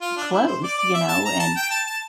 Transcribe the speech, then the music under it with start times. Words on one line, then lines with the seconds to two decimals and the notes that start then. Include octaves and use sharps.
close, you know, and,
0.01 F4
0.17 D4
0.32 E4
0.47 C5
0.63 D5
0.78 D5
0.94 E5
1.09 A5
1.25 A#5
1.40 A5
1.56 G5
1.70 A5
1.87 A5